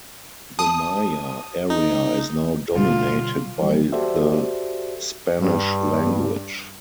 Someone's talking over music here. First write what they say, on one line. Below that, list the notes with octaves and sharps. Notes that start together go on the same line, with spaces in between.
The Maya area is now dominated by the Spanish language.
A5 D#6
D#4
B2 D3 G3 F4
E3 G3 A#3
F#4 G4 A4 C5 D5 E5
G2